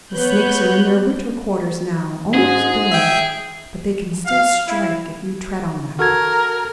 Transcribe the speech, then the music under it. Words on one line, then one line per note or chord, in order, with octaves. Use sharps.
The snakes are in their winter quarters now, almost dormant, but they can still strike if you tread on them.
B3 B4 C#5 F#6 G6
G#2 F#3 G#4
E5 G5
F5
E4
F#4 A4 A#4 F6 G#6